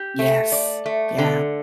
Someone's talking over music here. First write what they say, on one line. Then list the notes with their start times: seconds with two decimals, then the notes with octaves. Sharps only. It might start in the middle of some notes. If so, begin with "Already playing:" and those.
Yes. Yeah.
Already playing: G4
0.19 A3
0.52 D5
0.86 A3
1.18 D3